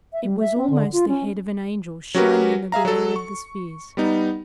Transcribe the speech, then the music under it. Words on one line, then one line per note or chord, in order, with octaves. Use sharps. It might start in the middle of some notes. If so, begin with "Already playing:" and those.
It was almost the head of an angel shining in the glory of the spheres.
E5
G3
E5
C4
D3
F4
C#4
F#3 C#4 F#4 G4 A#4 B4
G#4 E5 F5 A#5
F#3 A4
C#6
G3 B3 D#4